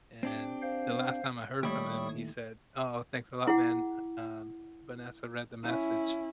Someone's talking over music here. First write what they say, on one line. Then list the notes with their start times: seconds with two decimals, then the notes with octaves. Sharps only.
and the last time I heard from him, he said, "Oh, thanks a lot, man. Um, Vanessa read the message,
0.23 C4 D4 G4
0.62 C5 F5
1.63 D#2 A2 G3 E4 G4 C#5 C#6 D#6
3.47 E4 G#4 F#5
5.63 C#4 E4